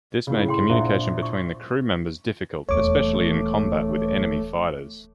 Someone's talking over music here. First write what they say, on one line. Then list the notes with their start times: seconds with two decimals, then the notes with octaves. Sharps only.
This made communication between the crew members difficult, especially in combat with enemy fighters.
0.27 A2 C#3
0.48 G5 C6
0.69 A#1 E4 C5 E5
1.23 C#6
2.69 D#1 E2 A3 C#5 D6